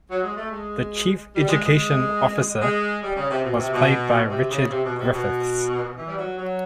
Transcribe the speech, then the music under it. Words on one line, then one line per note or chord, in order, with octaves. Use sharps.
The Chief Education Officer was played by Richard Griffiths.
F#3
G#3
A3
G#3
G3
G#3
G#3
G#3
G3
C#3
C3
B2
C3
B2
C3
C#3
C3
B2
C3
B2
E3
G3
F#3
F#3